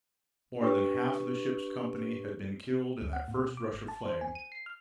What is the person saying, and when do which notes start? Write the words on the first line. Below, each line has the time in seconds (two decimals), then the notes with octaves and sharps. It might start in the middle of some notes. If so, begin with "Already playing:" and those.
More than half the ship's company had been killed in that first rush of flame.
0.61 D4 G4 B4 C#6
3.01 D2
3.13 F#5
3.28 A2
3.40 B2
3.57 D6
3.73 G#1
3.88 A5
4.06 C5
4.21 G#5
4.35 D#7
4.52 C7
4.66 F6